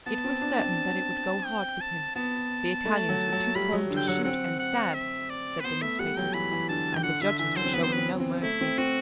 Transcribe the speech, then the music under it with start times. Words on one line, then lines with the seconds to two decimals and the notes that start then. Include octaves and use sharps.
It was certain that it would go hard with him. The Italians were too prone to shoot and stab, said the newspapers, and the judges were showing no mercy.
0.06 B3 A5
0.24 C4
0.41 D4
0.59 C4
1.46 G5
1.81 A5
2.16 B3 A5
2.86 A3
3.09 F#3
3.32 F#3
3.55 G3 B5
3.72 F#3
3.91 D3
3.97 G5
4.08 F#3 F#5
4.24 C4 F#5
4.59 F#5
4.94 E5
5.30 D5
5.60 B4
5.64 B3 C5
5.82 A3 E5
5.99 G3 F#5
6.17 F#3 G5
6.34 E3 B5
6.52 E3
6.69 D3 A5
6.96 G5
7.03 D3 F#5
7.21 D3 E5
7.39 E3 E5
7.56 F#3 C5
7.65 C4
7.73 B3 B4
7.83 C5
7.92 C4 B4
8.20 C4
8.43 A3 E4
8.61 C4
8.78 C4 F#4